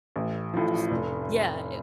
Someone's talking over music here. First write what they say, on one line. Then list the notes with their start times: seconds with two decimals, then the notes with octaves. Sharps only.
Just Yeah, i
0.16 A1
0.54 A2 F3
0.91 F1